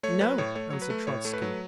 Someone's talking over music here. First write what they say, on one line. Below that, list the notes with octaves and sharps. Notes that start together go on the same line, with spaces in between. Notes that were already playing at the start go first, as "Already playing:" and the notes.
"No," answered Trotzky.
A3 C#5
F#3 B4
A2 C#5
A3 C#5
F#3 C#5
B4
A3
A2 C#5
A3
B4
F#3